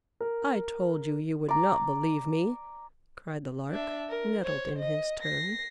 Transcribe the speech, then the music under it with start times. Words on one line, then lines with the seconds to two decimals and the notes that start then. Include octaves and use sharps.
"I told you you would not believe me!" cried the Lark, nettled in his turn.
0.21 A#4
1.49 D5 A#5
3.70 D4 E5
4.09 A#4
4.44 C5 C#5
4.79 D#5
5.21 A#6 C7